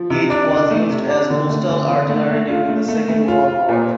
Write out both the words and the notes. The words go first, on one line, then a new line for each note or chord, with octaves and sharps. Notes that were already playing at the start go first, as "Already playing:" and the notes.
It was used as coastal artillery during the Second World War.
Already playing: F3
C3
D4
D4
A3
C3
D4
D3
A3
D3
D3
A3
A3
F4
A3
A3
A3
F4
F4
A#2